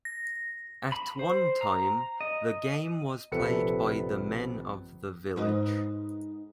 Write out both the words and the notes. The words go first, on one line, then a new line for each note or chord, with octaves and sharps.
At one time the game was played by the men of the village.
A#6
B5
C5
A#5
D#5
A#1 C3 A4 B4 C#7
G#2 B4 D#5